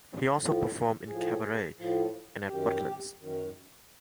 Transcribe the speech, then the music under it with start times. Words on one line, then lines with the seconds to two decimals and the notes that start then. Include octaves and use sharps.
He also performed in cabaret and at Butlins.
0.38 A2 F3
1.08 A2 F3 G#4
1.77 A2 F3
2.48 F#2 D#3 G4
3.19 F#2 D#3